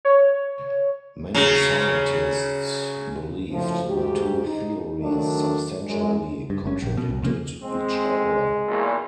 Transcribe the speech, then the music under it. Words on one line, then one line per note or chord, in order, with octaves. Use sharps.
Many scientists believed the two theories substantially contradicted each other.
C#5
C#3 F#3
F#2 A2 F3
D2 G#2 F#4 G4
D#4
D#3 F#3 A3 D4
F#2 G#3
G2
G1 C#4
A#1
B2
C2
F2 C#3 A#3
G#3 C4
B1 E2 A#2